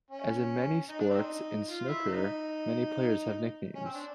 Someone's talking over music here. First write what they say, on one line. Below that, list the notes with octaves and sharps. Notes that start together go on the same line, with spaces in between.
As in many sports, in snooker many players have nicknames.
C#4
D#4
D4
C4 D#4
F4
E4
D#4
C#4
C4
D4